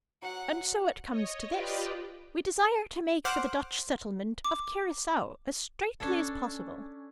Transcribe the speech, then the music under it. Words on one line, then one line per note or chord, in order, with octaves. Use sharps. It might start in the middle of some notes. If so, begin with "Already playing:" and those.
And so it comes to this: We desire to make for the Dutch settlement of Curacao as straightly as possible.
F#3 F#5
C#5 D#5
F4 G4 B4 D5 D#5 G5
C5 F#5 D6 F6 F#6
D6
C#4 D4 A4